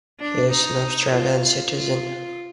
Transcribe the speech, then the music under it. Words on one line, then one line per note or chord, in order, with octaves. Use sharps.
He is an Australian citizen.
D4
D#4
F4
F4